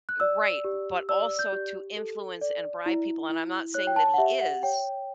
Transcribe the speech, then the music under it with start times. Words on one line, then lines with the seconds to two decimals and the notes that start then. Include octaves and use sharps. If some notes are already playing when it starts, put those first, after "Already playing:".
Right, but also to influence and bribe people, and I'm not saying that he is,
0.09 F#6
0.20 D5 E6
0.64 G4
1.09 D5 E6
1.39 G6
1.53 G4
1.97 A4
2.41 D5
2.86 E4
3.30 E4
3.74 C#5 F#6
3.87 G5
3.96 A5
4.14 F#5
4.18 G4 E5
4.41 F#5
4.63 C#5 G5